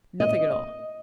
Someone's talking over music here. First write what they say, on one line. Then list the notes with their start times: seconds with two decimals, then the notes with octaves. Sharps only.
"Nothing at all."
0.20 D#5